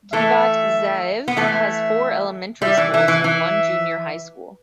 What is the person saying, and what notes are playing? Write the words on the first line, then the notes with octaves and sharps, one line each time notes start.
Giv'at Ze'ev has four elementary schools and one junior high school.
E3 A3 E5
B3
E3 A3 E5
G3 E5
E3
E3 E5
E3
E3 E5